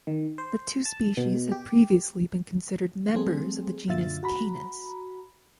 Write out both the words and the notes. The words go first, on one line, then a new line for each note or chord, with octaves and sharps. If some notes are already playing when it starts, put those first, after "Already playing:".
The two species had previously been considered members of the genus "Canis".
D#3
C5
A5
B2
G4
F3 G3 A3 C4 G#4
F#2 A#2 D3 F4 E5 A6
F#4 A#5 B5